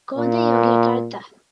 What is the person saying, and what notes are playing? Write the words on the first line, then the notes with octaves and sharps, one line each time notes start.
Code Yogyakarta.
A#2